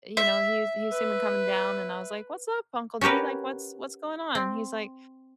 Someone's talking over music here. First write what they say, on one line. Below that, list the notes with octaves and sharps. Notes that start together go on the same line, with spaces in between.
you know, he was he was seeming coming down, and I was like, "What's up, Uncle D? Like, what's what's going on?" And he's like,
E5
B4
C#4 F#4 G4 A#4 B4
C4